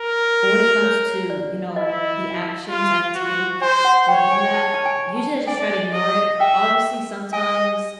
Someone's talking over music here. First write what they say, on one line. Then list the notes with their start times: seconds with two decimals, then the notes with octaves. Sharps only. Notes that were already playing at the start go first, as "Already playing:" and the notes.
But when it comes to, you know, the actions I take within that, usually I just try to ignore it. Obviously, sometimes,
Already playing: A#4
0.84 C#5
1.30 D5
1.76 E4 D#5
2.69 F4
3.15 F#4
3.61 C5 G#5
3.85 F#5
4.08 C#5 G5
4.31 G#5
4.54 A5
4.74 A5
4.86 G#5
5.16 A5
5.47 D5 G#5
5.94 D#5
6.40 E5 G5
7.33 D#5 G#5